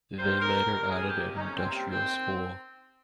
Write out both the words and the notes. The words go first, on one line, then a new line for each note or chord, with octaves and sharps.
They later added an Industrial School.
D#3 G3 A#3 C5
F2 A#4
D#3 G3 A#3
A#4
F2 G#4
G4
C3 G3 A#3
D#4
F2 C#4
C4
C3 G3 A#3
C4
D#2 C4